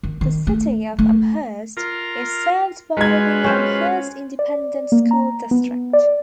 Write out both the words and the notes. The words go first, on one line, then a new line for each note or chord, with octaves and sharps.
The City of Amherst is served by the Amherst Independent School District.
D#3
D#3
A3
A3
F4 A#4
G#3 F4 F#4 B4 G#6
C#4 C5
D5
A#3
A#5
B3
D5